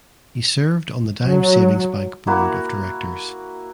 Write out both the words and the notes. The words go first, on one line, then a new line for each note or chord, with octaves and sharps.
He served on the Dime Savings Bank board of directors.
F#3
A#3 E4 F#4